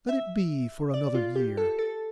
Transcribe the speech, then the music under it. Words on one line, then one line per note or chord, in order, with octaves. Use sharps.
Let it be for another year.
E5
D5
F4
G4
A4
A4